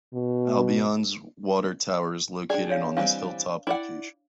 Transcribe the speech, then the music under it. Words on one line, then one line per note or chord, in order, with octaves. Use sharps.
Albion's water tower is located on this hill-top location.
B2
D4 G#4 D5 G5
C#5 F5
E3 G3 C4 D4 F5
E4 D5 F#5